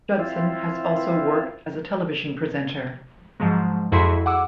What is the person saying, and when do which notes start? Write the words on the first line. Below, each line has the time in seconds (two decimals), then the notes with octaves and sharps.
Judson has also worked as a television presenter.
0.19 C4 E4 F4
3.40 G#2 F3 F#3 G#3
3.92 F2 E4 F#4 G#4 B5 C6
4.26 F#5 G#5 D6 E6